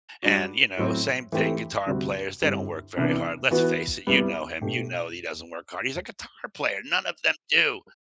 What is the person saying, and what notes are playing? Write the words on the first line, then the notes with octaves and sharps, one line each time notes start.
and, you know, same thing, guitar players, they don't work very hard. Let's face it, you know him. You know he doesn't work hard. He's a guitar player. None of them do.
G3 D4 F#4
A2 F#3 C4
E3 A3 C4 G4
D2 C3 G3 C4 F#4
G2 D3 G3 C4 E4
C2 C3 E3 B3 D4
E3 B3 F#4 B4
C2 C3 G3 B3
B2 A3 D4 G4